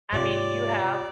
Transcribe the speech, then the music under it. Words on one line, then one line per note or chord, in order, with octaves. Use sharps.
I mean, you have
G#2 C3 F4 G4 C#5 D5